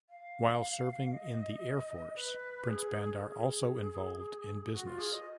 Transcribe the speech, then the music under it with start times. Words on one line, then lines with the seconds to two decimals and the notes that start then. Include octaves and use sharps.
While serving in the air force Prince Bandar also involved in business.
0.09 F5
1.12 D#5
2.16 B4
2.67 G#4
3.18 A#4
3.23 G#4
4.73 F#4
4.86 F4
4.99 G#4
5.12 D#5